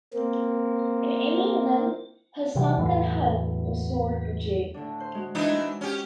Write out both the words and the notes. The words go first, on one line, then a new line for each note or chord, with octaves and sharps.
In any event, her sunken hulk was sold to J.
A#3 C4
C3 E3 F#3 G3
E2 A2 E3 F#3
A2 D3 D4
C5
G#3 F#4
E3 D4 D#4 D6
G#3
C#4 G4